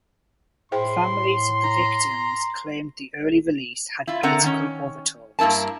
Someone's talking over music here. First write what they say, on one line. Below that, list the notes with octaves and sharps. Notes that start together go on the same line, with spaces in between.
The families of the victims claimed the early release had political overtones.
A2 E4 G#4 C5 G5 C6
A#5
E4 F4
D3 C4 A#4 E5 F#5 A#5
D#3 C#4
G2 A#3 E4 A#4 A5